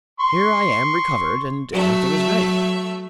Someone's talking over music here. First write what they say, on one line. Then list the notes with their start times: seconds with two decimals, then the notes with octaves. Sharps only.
"Here I am recovered and everything is ready."
0.20 C6 C#6
1.71 F#3 A3 E5